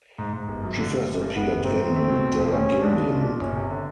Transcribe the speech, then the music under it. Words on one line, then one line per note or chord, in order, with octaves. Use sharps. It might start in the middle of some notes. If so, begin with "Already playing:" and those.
She first appeared in "Dalaginding".
G#2
G#2
G1
F#2
D3
G2
G1
G2
F#1 B3
F#1
G#2 C4
A3
A3
B2
D2
E1
D2 C#4
D2
C#2 D4
B2
A#2
A#2
G1 C#4
C3
D3